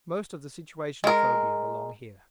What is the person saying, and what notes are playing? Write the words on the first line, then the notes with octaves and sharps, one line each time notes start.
Most of the situation-phobia belong here.
G#3 A#4